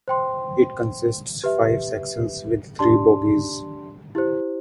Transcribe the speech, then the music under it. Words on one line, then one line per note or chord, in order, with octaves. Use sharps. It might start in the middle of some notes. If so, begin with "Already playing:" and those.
It consists five sections with three bogies.
C5 G5 C6
G4 B4 E5
D4 G4 D5 A5 C6
E4 G4 C5